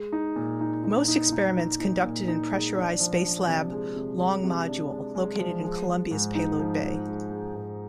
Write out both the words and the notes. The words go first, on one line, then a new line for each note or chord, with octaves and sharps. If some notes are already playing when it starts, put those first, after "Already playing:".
Most experiments conducted in pressurized Spacelab long module located in "Columbia"'s payload bay.
Already playing: G#3
D#4
A#2
D#4
D#4
D#4
D#4
D#4
D#4
A#2
D#4
G#3
D4
F3
D4
C3
G#3
C3
G#3
C3
D4
G#3
G#3
F3
G#3
G#3
G#2
D#4
F3
F3
G#3
G#3
G#2